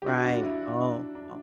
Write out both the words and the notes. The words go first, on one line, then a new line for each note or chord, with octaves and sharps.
Right oh, oh
G4
D4 F#4
D4 F#4
E4
D4
D4